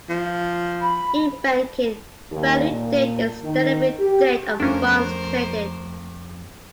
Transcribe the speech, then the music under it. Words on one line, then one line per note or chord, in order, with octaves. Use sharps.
In banking, value date is the delivery date of funds traded.
F3
B5
D#2
A#2
D#3
G4
F2 F3 A3 C#4 D4 A#4 C5